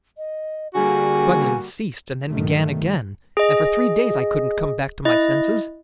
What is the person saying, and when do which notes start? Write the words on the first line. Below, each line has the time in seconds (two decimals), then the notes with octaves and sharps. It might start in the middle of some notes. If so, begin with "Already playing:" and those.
The struggling ceased and then began again, and for three days I couldn't come back to my senses.
0.17 D#5
0.74 D3 G3 A#3 F#4 G#4 G#5
2.29 G2 A#2 D#3 F#3 A3
3.37 G#4 D#5
5.05 E4 D#5